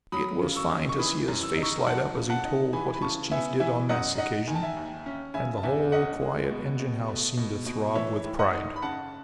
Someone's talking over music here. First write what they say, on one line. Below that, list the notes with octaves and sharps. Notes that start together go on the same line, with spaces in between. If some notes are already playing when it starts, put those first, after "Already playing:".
It was fine to see his face light up as he told what his chief did on this occasion, and the whole quiet engine-house seemed to throb with pride.
F#3 B5 D#6
C#3
C#6 E6
D#4
C#6
E3 B5 D#6
F#2
E6
D#4
C#6 E6
F#3 F#5 A5
C#3
F#5 A5
D#4
E3 G#5 B5
B5
C#3 A5 C#6
B3 E5 G#5
E3 E5 G#5
F#2 D#5 F#5
D#4 D#5 F#5
D#3 G#5
A5
E5 G#5
D#2
C#4
C#3 E5 G#5
A5
E2 E5 G#5
C#4 D#5 F#5
G#3
B2
B2
A3
B2
B2
E3 C#5 E5
A2
D#5 F#5
D#4
B5
C#3 F#5 A5